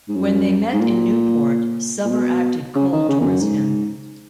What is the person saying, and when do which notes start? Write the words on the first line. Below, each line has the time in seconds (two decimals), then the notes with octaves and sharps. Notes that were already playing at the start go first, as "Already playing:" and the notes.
When they met in Newport, Summer acted cold towards him.
0.08 G#2
0.15 F#2
0.73 G#2
0.81 A#2
2.05 A#2
2.11 B2
2.75 C#3
2.92 D#3
3.09 C#3
3.21 E2
3.25 F#2
3.41 G#2